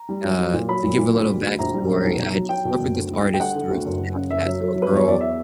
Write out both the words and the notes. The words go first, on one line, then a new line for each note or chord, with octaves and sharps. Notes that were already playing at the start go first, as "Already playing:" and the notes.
uh, to give a little backstory, I had discovered this artist through Snapchat. So a girl,
Already playing: A#5
G3
F#3
F#3
A#2
F#3 B5
A#2
A#2
D2
G3
D2
A#1 A#5
G3
A#1
B1
B2
F#3
F#3 G5
B2
F#1
D2
D2
G3
G5
D3 F#5
D3
D2
F#1
F#1
C#3
F#1 E5
F#3
F#3
F#3
B4
E2 C#5
E2 D5
E5